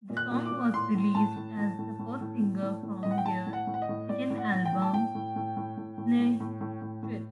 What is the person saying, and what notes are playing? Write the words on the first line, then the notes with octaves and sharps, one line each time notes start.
The song was released as the first single from their second album "Sehnsucht".
A#2
F#6
A#2
D6
A#2
A2 C6
A2
A2 A5
A2
A2
A2
A2
A2
A2
A2
A2
A2 D#5
F#5
G5
A2 A5
A2
F#5
A2
F#5
D#5
A2
A2 D5
A2
F#5
A2
G5
A2
A5
A2 G5
A2
A2
A2
A2
A2
A2
A2
A2
A2
A2